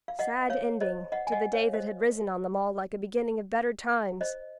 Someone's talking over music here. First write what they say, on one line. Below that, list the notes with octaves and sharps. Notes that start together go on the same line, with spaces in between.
Sad ending to the day that had risen on them all like a beginning of better times!
F5
D#5 F#5
C#5 F5
C5 D#5
D#5 F#5
G#5
D#5 F#5
C#5 F5
C5 D#5
C5 D#5